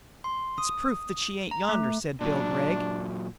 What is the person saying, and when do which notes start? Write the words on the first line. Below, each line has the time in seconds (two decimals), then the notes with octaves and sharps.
"It's proof that she ain't yonder," said Bill Gregg.
0.24 C6
0.58 D#6
1.51 A#5
1.69 A3
2.21 A#2 F#3 D4